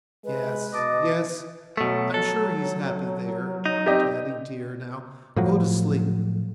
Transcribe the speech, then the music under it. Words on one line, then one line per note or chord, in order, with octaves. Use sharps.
"Yes, yes, I'm sure he's happy there, Taddie dear; now go to sleep."
G#3 B4
B2 D#5 A5 D6
B2 F#3 A3
A4
D#4
C4 G4 D5 D#5
A2 F3 F#3